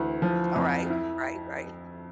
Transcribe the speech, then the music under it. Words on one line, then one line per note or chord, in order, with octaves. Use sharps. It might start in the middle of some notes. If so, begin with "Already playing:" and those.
Alright. Right, right.
Already playing: D2 E3
F3
F2
E4